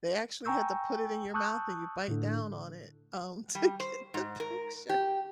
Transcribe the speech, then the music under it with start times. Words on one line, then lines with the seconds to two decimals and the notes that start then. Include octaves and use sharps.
They actually had to put it in your mouth and you bite down on it, um, to get the picture.
0.45 G5 G#5 A#5 C#6 E6 G6
1.34 A5 C#6 D#6 E6 F#6 G6
2.08 A2 D3
3.55 G3
3.80 C5
4.14 G#2
4.40 A#4
4.89 G4